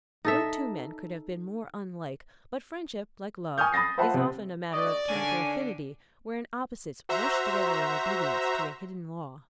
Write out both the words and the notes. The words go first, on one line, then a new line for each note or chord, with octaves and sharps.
No two men could have been more unlike, but friendship, like love, is often a matter of chemical affinity, wherein opposites rush together in obedience to a hidden law.
D#4 A4 E5
G#5 C#6 D#6 F6 G6
B5 D#6 A6 A#6 C7
F4 C5 E5 F#5 A5 B5
C3 C4
D2 F#4 D5 D#5
D3 D#3 C#4 D4 G#5
F#4 C5 E5 A#5